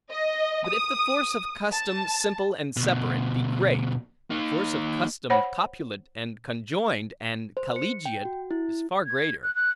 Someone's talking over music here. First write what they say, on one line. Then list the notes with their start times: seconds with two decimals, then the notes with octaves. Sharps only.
But if the force of custom simple and separate, be great, the force of custom copulate and conjoined and collegiate, is far greater.
0.10 D#5
0.66 D#6
1.72 A5
2.77 D2 B2
4.30 A#3 D#4
5.30 C5 C#5 F#5 B5
7.57 C5
7.76 C#7
8.06 G5
8.25 F#4
8.51 E4
9.06 G#6
9.43 F#6
9.56 F#6